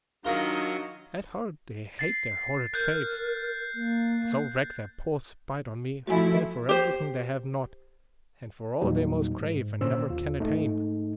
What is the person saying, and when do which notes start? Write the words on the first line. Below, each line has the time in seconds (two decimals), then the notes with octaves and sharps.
At heart they hate their horrid fates, and so wreak their poor spite on me who stand for everything they have not, and for all they most crave and never can attain.
0.25 D#3 F#3 D4 F4 F#4 A#4 D#5
1.99 A6 C7
2.74 A#4 F#6 G6
3.75 A#3
6.07 F3 A3 E4 F#4 G#5
6.69 G4 C5
8.81 E2 A#2 F#3 G3 D#4
9.41 G#2
9.81 A#2 D3 C#4 C5 E6
10.10 D#2 F4
10.40 G#2 A3 D#4